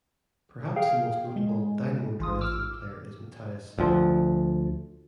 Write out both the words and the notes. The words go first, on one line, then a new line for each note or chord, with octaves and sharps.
Perhaps the most notable Dynamo Dresden player is Matthias Sammer.
G#4 F5 G5
G#3
A1 F4 D#6
D6 E6 F6
D2 F3